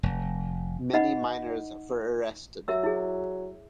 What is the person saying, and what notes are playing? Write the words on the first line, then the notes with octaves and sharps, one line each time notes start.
Many miners were arrested.
F1
D#4 D#5 F#5 B5
F#3 A#4 E5 E6
E4 G#4